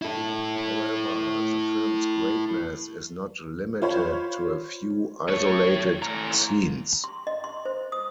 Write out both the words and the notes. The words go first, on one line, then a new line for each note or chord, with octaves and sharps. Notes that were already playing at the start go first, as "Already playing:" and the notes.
However, the film's greatness is not limited to a few isolated scenes.
E4 A4
F4 C5 C#5 B5
A2 C#5
A2 A#5
C6
D#5
C6
C5
D#6